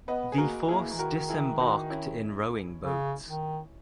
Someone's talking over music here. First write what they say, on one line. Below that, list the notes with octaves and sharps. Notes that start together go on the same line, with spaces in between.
The force disembarked in rowing boats.
B3 B4 D#5
G#4
A#3 F#4 A#4
A#3 E4 G#4
E3
D#3 F#4 A#4
E4 G#4
D#4 F#4
C#4 E4
C#3
D#3